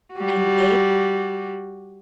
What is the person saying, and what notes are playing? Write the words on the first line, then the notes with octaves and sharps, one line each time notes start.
And they,
G3 F#4